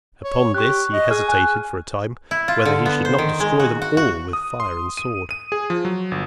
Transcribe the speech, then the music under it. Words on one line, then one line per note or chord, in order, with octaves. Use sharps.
Upon this, he hesitated for a time, whether he should not destroy them all with fire and sword.
C#5
G4 C#6 F#6
D#5
G#4 F6
G#5 F#6
E4
F4
D3
B3
C5
D#3
G#3
F#4
F#4
F#4
D#6
C6
D#7
D#7
G#4
F3
F#3
G1